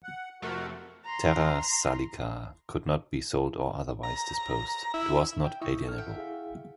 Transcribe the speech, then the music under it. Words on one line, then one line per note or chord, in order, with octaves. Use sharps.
"Terra salica" could not be sold or otherwise disposed; it was not alienable.
F#5
F2 C3 A3 F#4 A#4 F#5
A#5 C6
A#5
E4
G5
C#3 D#4 E4 C#6 E6
A4 F6
E5 F#5 G5
E4 G#4 F5